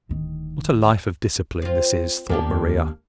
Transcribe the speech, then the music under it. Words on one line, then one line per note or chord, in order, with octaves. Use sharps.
"What a life of discipline this is!" thought Maria.
D1 D#3
C4 F4
D#2 A#3 B3 D4 G4